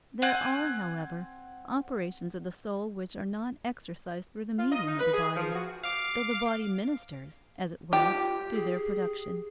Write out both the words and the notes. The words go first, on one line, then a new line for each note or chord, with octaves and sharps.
There are, however, operations of the soul, which are not exercised through the medium of the body, though the body ministers, as it were, to their production.
C4 F#5 G#5
F4
D#5
D#4
B4
G#4
F3
F#4
F5 D6
F4 G4
G#4